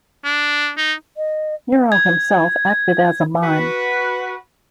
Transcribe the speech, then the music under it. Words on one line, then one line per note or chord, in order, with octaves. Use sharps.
Nero himself acted as a mime.
D4
D#4
D#5
G#6
F#4 B4